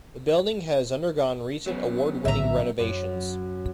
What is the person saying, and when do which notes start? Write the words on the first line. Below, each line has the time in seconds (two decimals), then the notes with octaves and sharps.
The building has undergone recent award-winning renovations.
1.66 F#3 B3 C#4
2.25 A#1 A2 D3 E5 A#5
2.79 F#2